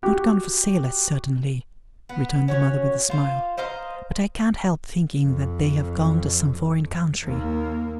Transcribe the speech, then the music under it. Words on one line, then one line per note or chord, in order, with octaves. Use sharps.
'Not gone for sailors, certainly,' returned the mother with a smile. 'But I can't help thinking that they have gone to some foreign country.'
F#4 G4
B3
C#4 F#4 C#5
F4 C5 F5
C5 D#5 F5 A#5
F2
D#2 A#3